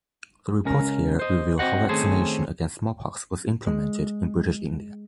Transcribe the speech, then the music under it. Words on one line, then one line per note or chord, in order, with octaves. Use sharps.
The reports here reveal how vaccination against smallpox was implemented in British India.
C#2 C#4 A#4
C5 D#5
C4 D#4 F#4 C5 D#5 F#5
D#3 A3 C4 C#4 G#4 C5
G#3